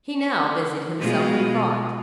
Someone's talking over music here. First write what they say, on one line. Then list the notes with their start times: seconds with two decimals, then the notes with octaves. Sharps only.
He now busied himself in thought.
0.98 B2 G#3 F4